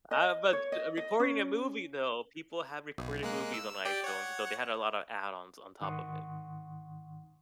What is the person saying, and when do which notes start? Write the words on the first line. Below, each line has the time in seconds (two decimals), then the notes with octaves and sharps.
I have a bunch uh Recording a movie though people have recorded movies on iPhones, though they had a lot of add ons on top of it.
0.11 D#5
0.53 C#5
0.72 D#5
0.97 D#5
1.20 C#4
2.98 B1
3.23 G#3 A#3 F#6
3.54 E6
3.85 G4 D5 G5
4.04 C#5 F#5
5.81 G#2 D#3 F#5 C6 C#6 D#6